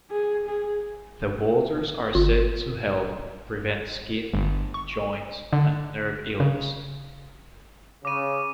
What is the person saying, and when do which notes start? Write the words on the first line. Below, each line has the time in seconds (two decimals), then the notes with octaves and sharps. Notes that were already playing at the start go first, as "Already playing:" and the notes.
The waters are said to help prevent skin, joint, and nerve illness.
0.11 G#4
0.47 G#4
2.15 G1 F4
4.34 G1
4.74 C#6
5.53 D3
6.40 C#3
8.05 C#3 D6 D#7